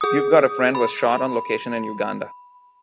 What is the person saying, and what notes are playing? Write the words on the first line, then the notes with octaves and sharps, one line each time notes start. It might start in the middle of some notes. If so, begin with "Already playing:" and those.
"You've Got a Friend" was shot on location in Uganda.
G#4 D#6
B5